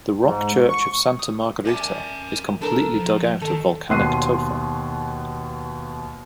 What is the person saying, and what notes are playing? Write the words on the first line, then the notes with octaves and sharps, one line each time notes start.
The rock church of Santa Margherita is completely dug out of volcanic tofa.
G#2
C#6
D#6
A#4 D5 E5 G#5 A5
D4 A4 A#4
F3
D#3 A4
D#2 B2 C6 F#6 C7 D#7